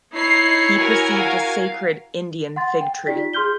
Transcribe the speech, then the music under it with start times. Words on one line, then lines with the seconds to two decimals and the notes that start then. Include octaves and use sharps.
He perceived a sacred Indian fig-tree.
0.13 D#4 E4 C#5 C7
0.77 F#4 A#4 G#5
1.17 F5
2.56 F#5 C6 A6
2.81 G5
3.07 D#4 F4 G4 D5 B6
3.33 G#4 C6 F6 G6 G7